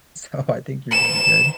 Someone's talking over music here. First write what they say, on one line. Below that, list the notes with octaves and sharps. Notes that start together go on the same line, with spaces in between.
so I think you're doing good,
E7